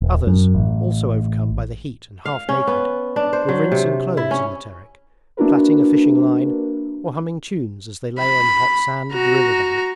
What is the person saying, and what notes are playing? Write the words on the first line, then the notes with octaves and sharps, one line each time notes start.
Others, also overcome by the heat and half naked, were rinsing clothes in the Terek, plaiting a fishing line, or humming tunes as they lay on the hot sand of the river bank.
D#1
F#2
A1
F5
C#4
B3
D4
C5
F#3
C3
E4
C#4
A#3 D4 E4 F#4 A#4 B4
B5
F#4 A#5